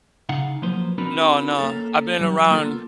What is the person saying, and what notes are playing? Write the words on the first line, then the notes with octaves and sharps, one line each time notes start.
No, no, I've been around
C#3 D#4 F5 F#5
F3 F#3 A#3 B4 C5
C4 D4 D#4 F#4 A#4 B4
A#3 C#4 A4
F#3 G3
A#3 B3 F4 F#4 A4 A#4